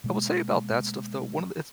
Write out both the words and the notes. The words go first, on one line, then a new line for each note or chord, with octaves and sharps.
I will say about that stuff though, one of the it's
B2 G#3 A#3